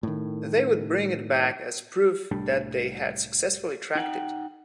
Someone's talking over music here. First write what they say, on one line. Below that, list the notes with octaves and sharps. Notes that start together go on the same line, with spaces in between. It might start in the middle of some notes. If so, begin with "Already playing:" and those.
They would bring it back as proof that they had successfully tracked it.
A2 D#3
C2 A2 G3 D4
D#4 F#5 G5